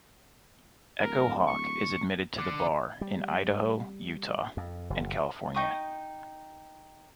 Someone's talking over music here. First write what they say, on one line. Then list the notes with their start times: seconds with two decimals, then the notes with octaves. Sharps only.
Echo Hawk is admitted to the bar in Idaho, Utah and California.
1.02 D1 A#4
1.47 C#6
2.39 D3
3.01 G3
4.57 F2
4.90 F#1
5.54 D#4 G5 C#6 D#6